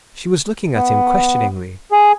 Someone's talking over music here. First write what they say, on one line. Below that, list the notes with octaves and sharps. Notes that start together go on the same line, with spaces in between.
She was looking at him questioningly.
B3
G#4